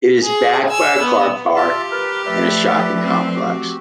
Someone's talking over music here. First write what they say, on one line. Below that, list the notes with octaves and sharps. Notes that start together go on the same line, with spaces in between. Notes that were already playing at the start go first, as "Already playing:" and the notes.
It is backed by a car-park and a shopping complex.
G#4
G#5 E6
B3
F4 G4 E5 A5
A#4 B4
F3 A3 B4 D5 E5
C4
F#4 G4